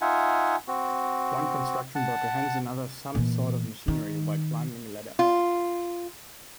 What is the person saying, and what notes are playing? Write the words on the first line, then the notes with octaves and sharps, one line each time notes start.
One construction worker hands another some sort of machinery while climbing a ladder.
D#4 F4 E5 F#5 G#5
C4 F#4
F#5 A5
A#2 E3
D#3
F4